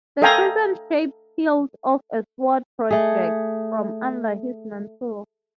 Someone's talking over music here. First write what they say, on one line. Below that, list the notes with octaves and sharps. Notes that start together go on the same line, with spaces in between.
The crescent-shaped hilt of a sword projects from under his mantle.
A4 D#5 F5 G5 G#5 A#5
A3 G#4